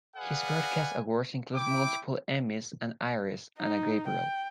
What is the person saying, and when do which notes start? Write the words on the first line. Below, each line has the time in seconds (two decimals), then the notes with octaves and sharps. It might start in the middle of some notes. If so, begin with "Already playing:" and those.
His broadcast awards include multiple Emmys, an Iris, and a Gabriel.
0.16 G#4 B4 D5 F5 F#5 G#5
1.54 E4 G5 D6
3.59 D#4
4.07 G5